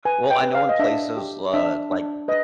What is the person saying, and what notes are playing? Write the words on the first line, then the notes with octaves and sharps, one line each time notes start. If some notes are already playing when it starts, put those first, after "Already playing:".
Well, I know in places, uh, like d
B4 G#5
G5
B4
F5
D#5
D4 E5
G4
D4 E5
D4
B4 D#5